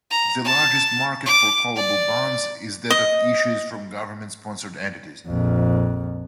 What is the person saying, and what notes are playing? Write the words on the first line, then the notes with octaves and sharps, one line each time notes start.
The largest market for callable bonds is that of issues from government sponsored entities.
A#5
A5
D6
D5
D#5
A#1 F2